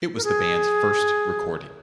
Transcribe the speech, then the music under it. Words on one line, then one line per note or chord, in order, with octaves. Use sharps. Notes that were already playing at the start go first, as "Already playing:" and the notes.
It was the band's first recording.
A#4
G#4